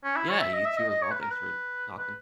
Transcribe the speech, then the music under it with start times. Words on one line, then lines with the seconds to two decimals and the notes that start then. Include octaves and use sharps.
Yeah, you too as well, thanks for talking.
0.04 C#4
0.16 E4
0.29 C#5
0.41 E5
0.53 D#5
0.65 E5
0.77 D#5
0.89 D#5
1.02 C#5
1.11 B4
1.21 A#4
1.30 B4
1.99 B4